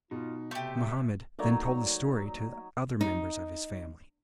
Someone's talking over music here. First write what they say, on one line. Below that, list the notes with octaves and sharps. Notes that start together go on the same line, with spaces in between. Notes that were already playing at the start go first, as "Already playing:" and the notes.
Mohammed then told the story to other members of his family.
B2 D#4 F4
C3 A3 G4 E5 C6 D6
F#3 A3 A#3 D#4 C#5 D5
D#4